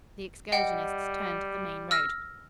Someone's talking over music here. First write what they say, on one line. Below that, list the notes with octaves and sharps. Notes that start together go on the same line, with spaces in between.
The excursionists turned to the main road.
G3 D#5 F#5 G5
E6 F6 A#6